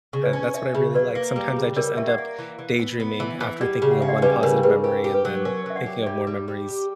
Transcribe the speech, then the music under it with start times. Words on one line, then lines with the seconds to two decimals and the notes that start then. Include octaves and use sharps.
uh, that's what I really like. Sometimes I just end up daydreaming after thinking of one positive memory and then thinking of more memories,
0.13 C#3
0.23 B4 D5
0.33 C#4
0.54 C#4 C#5 E5
0.74 C#3 C#5 E5
0.95 F#3 B4 D5
1.15 A#3
1.36 G3
1.56 C#3
1.77 G3 A#4 C#5
1.97 C#4 E5
2.08 D5 F#5
2.18 A#3
2.38 E3
2.59 E3
2.79 B3
3.00 B3
3.20 E3
3.41 E3
3.61 G3 D5 F#5
3.82 C#3
3.92 F#5
4.00 C#4 E5
4.09 D5 F#5
4.22 G3 B4 D5
4.43 C#3 A#4 C#5
4.63 C#3 B4
4.83 G4 A#4
5.04 G4
5.14 B4
5.25 F#3
5.45 C#4 A#4
5.66 F#3 E5
5.75 D5 F#5
5.86 G4
6.02 D5
6.06 G3 C#5 E5
6.27 G3
6.48 G3
6.68 G4